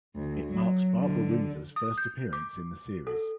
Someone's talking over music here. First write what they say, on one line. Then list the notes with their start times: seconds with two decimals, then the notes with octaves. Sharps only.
It marks Barbara Windsor's first appearance in the series.
0.15 D2
0.49 F#3
0.96 D3
1.76 D#6
1.98 G6
2.33 D6
3.07 A4